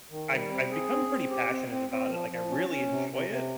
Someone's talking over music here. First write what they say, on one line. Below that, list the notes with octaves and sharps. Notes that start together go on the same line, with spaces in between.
I've I've become pretty passionate about it, like I really enjoy it,
D#3
G3
C4
G#4
C4
C4
G4
C4
C4
C4
F3
F3
C#4
C#4
C3
C3
C3